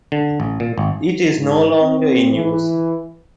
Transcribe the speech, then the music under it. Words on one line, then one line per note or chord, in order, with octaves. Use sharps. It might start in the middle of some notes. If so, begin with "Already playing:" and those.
It is no longer in use.
D3
A1
A#2
G#1
G#2
C4
E3